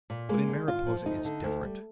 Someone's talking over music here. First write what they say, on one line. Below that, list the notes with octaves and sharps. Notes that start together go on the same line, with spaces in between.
But in Mariposa it's different.
A#2
G#3 A#3
D3
G2 F4
F3
D2 D#4
D3
D2
G3